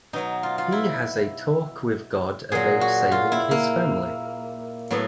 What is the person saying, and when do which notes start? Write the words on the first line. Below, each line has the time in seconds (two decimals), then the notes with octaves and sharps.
He has a talk with God about saving his family.
0.13 B2 F#3 D#4
0.43 F4
0.58 F4
0.72 E4
2.52 A#2 F#3 G#4
2.81 F#4
3.12 F4
3.32 E4
3.51 A#3
4.91 A2 F#3 B3